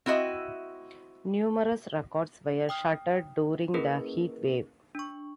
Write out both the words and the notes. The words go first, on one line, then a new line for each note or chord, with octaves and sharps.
Numerous records were shattered during the heatwave.
C4 E4 F#4 D#5 E5
G5 D#6 F6
A#3 C#4 E4 G#4 A#4 B4
D4 C#6